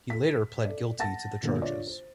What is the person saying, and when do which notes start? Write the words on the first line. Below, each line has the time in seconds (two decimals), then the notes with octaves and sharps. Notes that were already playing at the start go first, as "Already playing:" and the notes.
He later plead guilty to the charges.
0.10 A4 B6
0.65 A4 D5
0.99 F#5 A5 A6 A#6
1.43 A#2 D3 G#3 A#3 B3
1.61 D4 F4 C#5 D5
1.87 C5